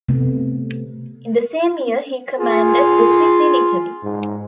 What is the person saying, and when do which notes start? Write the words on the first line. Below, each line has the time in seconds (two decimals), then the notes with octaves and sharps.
In the same year he commanded the Swiss in Italy.
0.09 C3 A3 B3
2.39 F4 G#4
4.03 G#2